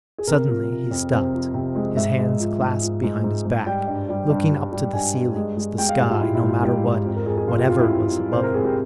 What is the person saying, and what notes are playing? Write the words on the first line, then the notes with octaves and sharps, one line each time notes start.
Suddenly he stopped, his hands clasped behind his back, looking up to the ceilings--the sky--no matter what--whatever was above him.
G#4
C3 A#4
F3
C3
F2
C3 C5
F3
C3
G#3
G#2 E5
G#3
F3
G#2
F3
G#2
G#2
G#2
G3 G5
G2
G3
G2
G3
G3
G2 G#5
G2
G#3
G#3
G#3 G5
F5
G#2 G4
F4
G#2 E4
E4
G#2
F4
G#2 G4
G#2
F2
A#4
F2 G#4
G#4
F2 F4
G4
F2 F4
E4
F2
F2
C3 C5
A#4
C3 G#4
G4